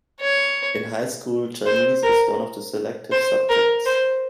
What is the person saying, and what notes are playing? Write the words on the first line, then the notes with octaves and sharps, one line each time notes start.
In high school, Chinese is one of the selective subjects.
C#5
C5
A#4
C5
A#4
C5